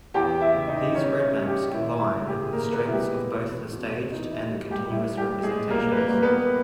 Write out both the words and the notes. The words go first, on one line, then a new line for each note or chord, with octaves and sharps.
These roadmaps combine the strengths of both the staged and the continuous representations.
E2 G4 G5
E4 E5
C#3
D#4 D#5
E2 C#4 C#5
C#4 C#5
G3
G3 G4
G4
D#2 E4
E4
C#3
G4
G#4
D#2 A#3 A#4
B3 B4
E4
G3 G#3 G4
E2
B2
E2 D#4
E4
G3
G3 G4
G2 E4
G3 G4
G3
G#3 G#4
G3 A#3 A#4
B4
A#3 A#4
G2
B3 B4